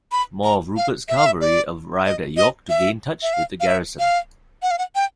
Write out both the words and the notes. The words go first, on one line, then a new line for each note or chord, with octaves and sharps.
More of Rupert's cavalry arrived at York to gain touch with the garrison.
B5
A#5
F5
E5
F5
E5
D5
D#5
D#5
E5
E5
F5
F5
E5
F5
F#5
F5
F#5
G5